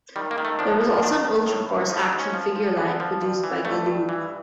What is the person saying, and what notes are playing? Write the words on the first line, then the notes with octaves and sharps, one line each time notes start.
There was also an "Ultraforce" action figure line produced by Galoob.
D#3 G3
A#3
D#3
A3
F3 D4
F3
D#3 D4
D#3
A2
A2
F3 D#4
D4
G#2
C#4
F3
F3
D3 B3
F3
G2
E3
G2 A3
G2
E3